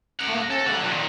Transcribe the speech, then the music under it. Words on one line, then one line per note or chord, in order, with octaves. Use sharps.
I've heard that.
A#4 F#5
A4
D3 F#5
A#2 D#3